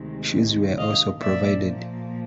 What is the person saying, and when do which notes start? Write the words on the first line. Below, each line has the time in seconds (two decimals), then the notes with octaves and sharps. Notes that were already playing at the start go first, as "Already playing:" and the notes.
Shoes were also provided.
Already playing: D2 C3 D#3 G#3
0.77 D#5 F5
1.21 A#2 F3 A#3 D5 E5